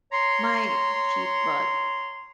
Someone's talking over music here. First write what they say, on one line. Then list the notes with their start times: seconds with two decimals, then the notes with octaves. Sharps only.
my cheap butt
0.12 C#5 A#5 C6